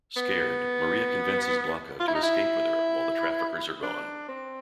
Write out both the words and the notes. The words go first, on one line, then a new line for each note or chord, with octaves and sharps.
Scared, Maria convinces Blanca to escape with her while the traffickers are gone.
B3
F4
E4
D#4
E4
D4
C4